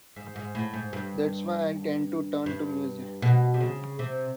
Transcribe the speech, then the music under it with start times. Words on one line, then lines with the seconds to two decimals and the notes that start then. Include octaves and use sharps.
That's why I tend to turn to music.
0.16 G#2
0.36 G#2
0.55 A2
0.73 G#2
0.93 G2
2.46 G2
3.22 B2
3.54 C3
3.61 C#3
3.99 C3